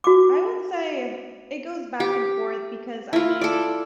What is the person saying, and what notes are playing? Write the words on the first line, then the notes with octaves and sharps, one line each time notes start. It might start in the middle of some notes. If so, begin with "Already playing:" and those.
I would say, it goes back and forth because, I mean,
F#4 D6
G4
E4 F4
A4 D5